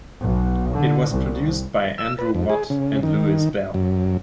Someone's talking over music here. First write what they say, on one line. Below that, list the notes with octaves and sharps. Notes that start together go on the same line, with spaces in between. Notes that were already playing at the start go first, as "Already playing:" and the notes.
It was produced by Andrew Watt and Louis Bell.
B1
D3
C2
E6
B4
F2
G#4
C#3
D#3
F#2